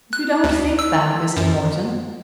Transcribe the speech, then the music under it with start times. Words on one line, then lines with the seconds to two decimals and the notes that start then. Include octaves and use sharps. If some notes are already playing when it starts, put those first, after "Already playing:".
"You don't think that, Mr. Morton."
0.13 F#6
0.44 D2
0.79 E6
1.37 F#2